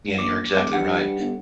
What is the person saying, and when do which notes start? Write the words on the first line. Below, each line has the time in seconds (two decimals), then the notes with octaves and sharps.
Yeah, you're exactly right.
0.18 A#1 D6
0.56 E1
0.73 G2 F#5
1.20 G1